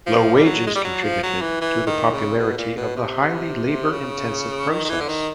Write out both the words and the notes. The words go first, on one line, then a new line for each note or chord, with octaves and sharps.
Low wages contributed to the popularity of the highly labour-intensive process.
F3
G3
F#3
G#3
G3
F#3
F3
F#3
E3
E3
D#3
C#3
B2
A#2
B2
C3
C#3
D#3
D#3
E3
D3
D#3